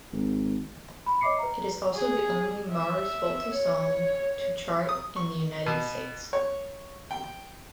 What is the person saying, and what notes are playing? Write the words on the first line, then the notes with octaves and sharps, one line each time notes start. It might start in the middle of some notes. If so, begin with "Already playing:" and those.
It is also the only Mars Volta song to chart in the United States.
G#1
B5
C#5 D#5 E5 D6 C7 C#7
B4 A#5
G#4
E5
C#5
D#6
C#6
B2
C#5
G5